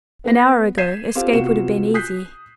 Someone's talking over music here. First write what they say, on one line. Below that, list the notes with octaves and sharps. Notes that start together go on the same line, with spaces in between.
An hour ago escape would have been easy.
B3 B4 A#6
G6 G#6 B6 C7 D#7 E7
C4 F4 G4 A4 F5
C3 B3 F4 F#4 C#7 E7
D#6 F#6 G6 B6 C7